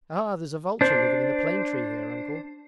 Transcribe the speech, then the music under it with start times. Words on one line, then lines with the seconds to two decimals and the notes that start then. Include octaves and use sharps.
'Ah, there's a vulture living in the plane tree here, Uncle.
0.81 D4 C5